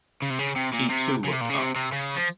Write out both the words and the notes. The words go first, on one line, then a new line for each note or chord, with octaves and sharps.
He too looked up.
C#3
C3
C#3
C3
A#2
C3
C#3
C3
A#2
C#3
C3
C3
C#3
F3